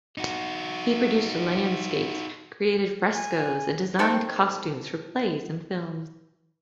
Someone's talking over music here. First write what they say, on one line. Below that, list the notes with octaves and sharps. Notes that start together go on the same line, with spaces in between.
He produced landscapes, created frescoes and designed costumes for plays and films.
D#4 F#4
G#5
D#3 C4 A4